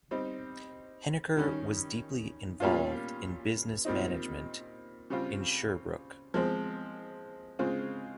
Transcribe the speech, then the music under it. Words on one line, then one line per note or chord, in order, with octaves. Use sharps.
Heneker was deeply involved in business management in Sherbrooke.
G3 C4 D#4
D#3 G3 C#4
A#2 G3 C#4 F4
A#2 G3 C4 D#4
C#3 G3 C4 F4
F3 G#3 C4
C#3 G#3 C4 F4